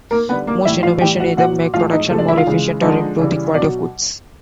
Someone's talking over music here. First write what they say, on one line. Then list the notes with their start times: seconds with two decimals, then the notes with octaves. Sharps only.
Most innovations either make production more efficient, or improve the quality of goods.
0.11 A#3 A#4
0.29 D3 G3 B3 B4
0.47 A#3 A#4
0.65 A2 E3 G3 E4 E5
0.83 F4 F5
1.01 A2 E3 G3 G4 G5
1.20 F#4 F#5
1.37 A#2 F#3 F#4 F#5
1.74 A2 F3 G#3 F4 F5
1.92 D#4 D#5
2.09 C3 F3 G#3 A3 A4
2.18 D4 D5
2.28 E4 E5
2.37 F4 F5
2.47 C#3 E3 G#3
2.82 D3 F3 G#3 D#4 D#5
3.19 C#3 E3 G3
3.54 B2 D4 D5
3.58 F#3